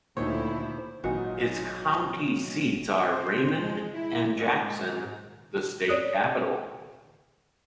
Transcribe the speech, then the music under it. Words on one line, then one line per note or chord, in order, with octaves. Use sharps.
Its county seats are Raymond and Jackson, the state capital.
D2 A#2 D#3 E4 C5 C#5
G#1 A#2 E3 F#3 D#4 F#4
C5
G#3
E4
G#2
C#5 D5 D#6 F#6